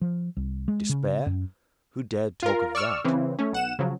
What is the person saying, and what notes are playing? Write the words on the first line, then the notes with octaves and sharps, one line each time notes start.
Despair! Who dared talk of that?
F3
C2
G#3
C#3
F#2
F4 A#4
D5 C#6 E6 F6
C#3 E3 C4
A3 C#4
B1 F#5 E7
C#3 F3 F#3